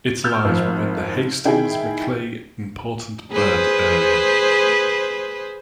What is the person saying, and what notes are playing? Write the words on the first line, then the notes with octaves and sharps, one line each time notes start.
It lies within the Hastings-Macleay Important Bird Area.
E6 F6 G6
G#1 F3
D#3 E4 G#4 G5
G#4 B4 C5